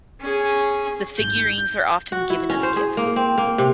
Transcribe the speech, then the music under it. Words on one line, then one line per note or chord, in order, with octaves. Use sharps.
The figurines are often given as gifts.
C#4 G#4
G#1 G6
F#4
E4
C#4
C5
G#4
A#3
C4
A#3
C3